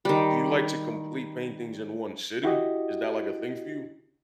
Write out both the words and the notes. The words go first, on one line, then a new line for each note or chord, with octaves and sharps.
do you like to complete paintings in one sitting? Is that, like, a thing for you?
D#3 G3
E4 F#4 G4 D#5